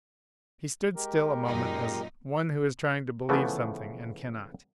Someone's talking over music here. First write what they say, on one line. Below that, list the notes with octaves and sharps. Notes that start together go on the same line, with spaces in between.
He stood still a moment, as one who is trying to believe something and cannot.
G#3 G4 A#4
F#2 A#2 D#4
C#3 E3 F3 A3 B3